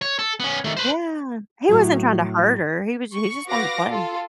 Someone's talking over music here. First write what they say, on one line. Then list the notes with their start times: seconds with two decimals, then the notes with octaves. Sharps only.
Yeah. He wasn't trying to hurt her, he was he just wanted to play.
0.02 C#5
0.19 A4
0.40 B3 C#4
0.64 D#3 A3
0.77 B4 C5
1.69 A2 F#3
3.14 C#6
3.47 F#4 B4 F5 D6 A#6
3.89 F4 A4